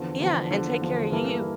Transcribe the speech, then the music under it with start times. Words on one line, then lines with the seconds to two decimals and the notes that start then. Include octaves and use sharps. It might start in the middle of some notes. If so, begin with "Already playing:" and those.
Yeah, and take care of you.
Already playing: E2 D3 F3
0.20 E2 D3 F3
0.51 E2 D3 F3
0.81 E2 D3 F3
1.11 G2 E3 A#3 E4 A4